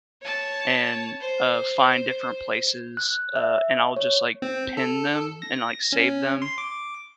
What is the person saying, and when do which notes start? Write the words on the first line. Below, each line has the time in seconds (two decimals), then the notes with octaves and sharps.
and, uh, find different places, uh, and I'll just, like, pin them and, like, save them,
0.22 C#5 A5
1.20 C5
2.97 F#6
3.36 E5
3.96 C#5
4.42 C4
4.77 A4
5.42 A#6
5.92 C#4
6.42 C6
6.58 D6